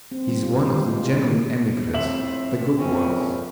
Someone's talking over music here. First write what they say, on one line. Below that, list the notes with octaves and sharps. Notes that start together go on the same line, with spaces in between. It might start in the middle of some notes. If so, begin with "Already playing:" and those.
He is one of the genuine emigres, the good ones.
C4
G3
F4
G4
G#3
F4
E4
F2 A2 C4 E5 F#7
A#1 C4 C#4